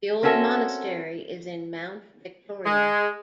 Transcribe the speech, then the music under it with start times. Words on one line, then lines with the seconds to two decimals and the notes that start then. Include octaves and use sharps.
The old monastery is in Mount Victoria.
0.23 C4 C#4 F#4 A4 A#4 E5
2.66 G#3